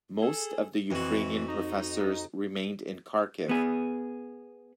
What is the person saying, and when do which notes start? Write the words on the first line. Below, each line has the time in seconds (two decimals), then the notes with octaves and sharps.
Most of the Ukrainian professors remained in Kharkiv.
0.22 G#4 A4
0.91 F2 E3 F#4
1.48 D#4
3.49 B3 G#4